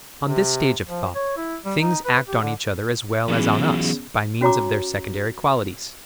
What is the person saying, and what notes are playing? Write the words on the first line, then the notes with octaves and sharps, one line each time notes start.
On this stage of thought things act on each other as well as on us by means of their secondary qualities.
C3
F3
C#5
E4
G3
D#4
B4
G4
D3
E3 F#3 B3 C#4 G#4
C#4 F#4 C#5 A#5 D6